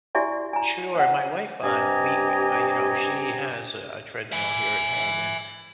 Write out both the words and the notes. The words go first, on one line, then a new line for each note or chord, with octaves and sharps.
Sure, my wife, uh we me uh, you know, she has a a treadmill here at home, and,
E4 F#4 G4 D5 E5 G#5
G#5 A#5
C5 F#5
G2 C3 G4 D#5 G#5 A#5
E5 G#5